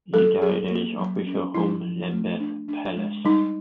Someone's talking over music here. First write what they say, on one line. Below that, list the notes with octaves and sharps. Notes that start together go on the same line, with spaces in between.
He died at his official home, Lambeth Palace.
F#3 A4
F#3 G#4
A#3
F#3
C#4
F3 E4
F3
A3
D4
D4
G#3
G3 D#4